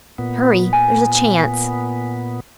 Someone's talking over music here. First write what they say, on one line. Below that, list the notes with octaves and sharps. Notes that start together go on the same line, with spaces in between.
"Hurry! There's a chance!"
A#2 B3
G#5